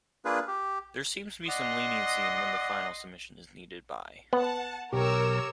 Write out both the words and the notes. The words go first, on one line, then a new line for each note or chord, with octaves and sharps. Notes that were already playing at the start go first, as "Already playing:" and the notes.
There seems to be some leniency in when the final submission is needed by.
A#3 D4 F4 G#4 B4
G4
D5 D#5 F#5 C6
B3 F#5 A5
B1 G4 A#4 C#5 E6